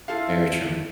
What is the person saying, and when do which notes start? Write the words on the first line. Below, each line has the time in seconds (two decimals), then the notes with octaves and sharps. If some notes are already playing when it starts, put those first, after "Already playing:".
Very true.
0.08 E4 F4 A4 F5